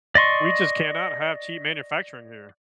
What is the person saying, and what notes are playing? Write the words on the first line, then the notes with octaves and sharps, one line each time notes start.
We just cannot have cheap manufacturing here.
D5 D#5 C6 C#6